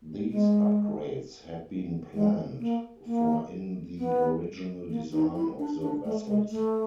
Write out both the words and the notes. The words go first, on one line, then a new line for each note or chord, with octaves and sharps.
These upgrades had been planned for in the original design of the vessels.
G#3
G#3
A#3
A#3
B3
A#3
D#4
E4
D4
D4
A3
G#3
A3